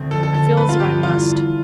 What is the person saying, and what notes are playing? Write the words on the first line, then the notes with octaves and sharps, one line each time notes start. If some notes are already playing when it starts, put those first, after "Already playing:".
I feel as if I must.
Already playing: D2 D3 C4
F2 A4
A4
D3 A3 A4
A4
G1 B4
F4
G2 F3 G4
E2 F4
D3 A3